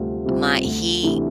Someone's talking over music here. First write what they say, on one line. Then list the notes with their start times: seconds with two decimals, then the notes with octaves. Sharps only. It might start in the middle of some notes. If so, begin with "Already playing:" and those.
My he
Already playing: D2 C3 G3 C4 F4
0.25 C3 G3 C4 F4
0.64 D2
1.02 C3 E3 A3 D4